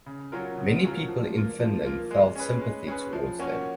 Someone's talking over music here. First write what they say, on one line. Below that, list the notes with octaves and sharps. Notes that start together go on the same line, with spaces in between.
Many people in Finland felt sympathy towards them.
C#3
F#3 C#4 F4 A#4
C#3
F#3 C#4 F4 A#4
F3
A#3 F4
F3
A#3 F4
G#3
C#4 G#4 B4
G#3
C#4 G#4 B4
F3
A#3 C#4 F#4 C#5